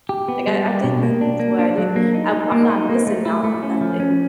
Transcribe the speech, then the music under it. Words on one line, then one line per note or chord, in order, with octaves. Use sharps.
Like, I I didn't need to explore, I didn't I'm I'm not missing out on nothing,
G4
B3
G3
G4
B2
A#3
D4
A#3
D4
F#3
A#3
D#4
D#4
A#3
D#4
A#3
A3
E4
A3
C#4
F3
C#4